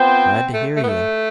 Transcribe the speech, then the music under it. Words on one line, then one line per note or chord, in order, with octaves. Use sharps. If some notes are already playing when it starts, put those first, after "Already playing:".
Glad to hear you!
Already playing: B3 C4 F4 C5 G5
A3
A3
B3
A3